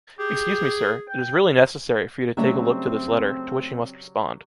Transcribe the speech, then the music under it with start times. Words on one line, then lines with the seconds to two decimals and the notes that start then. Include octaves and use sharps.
Excuse me Sir, it is really necessary for you to take a look to this letter, to which you must respond.
0.19 G4 G#4
1.09 G5
2.37 C#3 F#3 G3 A3 C4 E5